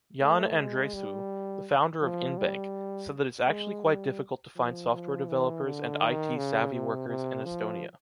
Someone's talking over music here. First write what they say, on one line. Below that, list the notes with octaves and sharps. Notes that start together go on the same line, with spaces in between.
Jan Andresoo, the founder of Inbank, said that it’s actually quite difficult to find software developers and IT savvy workers in Estonia.
A3
G#3
G3
F3
G3
G#3
G3
F3
F3
E3
D3
D#3
C#3
C3
C3
F3